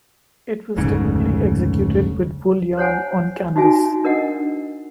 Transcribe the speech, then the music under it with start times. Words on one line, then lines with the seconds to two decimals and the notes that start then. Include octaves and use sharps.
It was typically executed with wool yarn on canvas.
0.77 F1 D2 G#2 C#3
2.77 C5 C#5 F#5 G#5
3.56 D#4 F#4 E5 G#5
4.04 D4 A#4 D#5 F#5